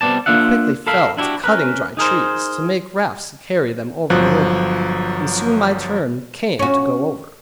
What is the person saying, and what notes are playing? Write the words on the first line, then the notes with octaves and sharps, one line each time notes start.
They quickly fell to cutting dry trees, to make rafts to carry them over the river: and soon my turn came to go over.
C3 G3 B3 D5 A5
A#3 D4 F4 E5 F#5
A4 A#4 E5 F5 B5
D4 E4 F#4 G4
C#4 A#4 B4
D#4 G#4 A#4 C5
G1 F3 F#3 F#6
C#4 F#4